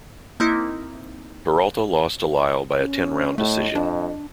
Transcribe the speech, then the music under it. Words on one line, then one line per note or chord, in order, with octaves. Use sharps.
Peralta lost to Lyle by a ten round decision.
A#3 C4 D#4 E4
C#4
A2 A3 D#5
F2 D4